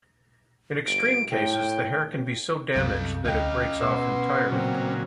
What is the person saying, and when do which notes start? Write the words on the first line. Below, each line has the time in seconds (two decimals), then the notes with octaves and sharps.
In extreme cases, the hair can be so damaged that it breaks off entirely.
0.86 G1 D7
1.31 A2 G5
2.75 C2 F#2 C3 A4 F5
3.25 D2 C#4 D#5 F5 G5
3.82 B2 B3 C6 E6
4.52 A#2 C#3 F#3 C4